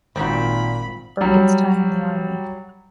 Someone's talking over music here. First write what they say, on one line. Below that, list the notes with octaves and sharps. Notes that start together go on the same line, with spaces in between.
Burkett's time in the Army.
G#1 A#2 D#3 C4 F#4 B5
F#3 G3